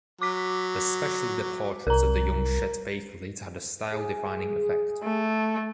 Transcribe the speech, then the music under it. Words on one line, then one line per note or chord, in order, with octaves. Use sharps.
Especially the portraits of the young Chet Baker later had a style-defining effect.
F#3 D6 B6
C2 A#4 A#5
G#4
A3